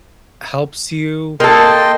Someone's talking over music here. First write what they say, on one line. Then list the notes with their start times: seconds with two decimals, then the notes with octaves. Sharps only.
helps you
1.40 A#3 A4 D#5 G5 C6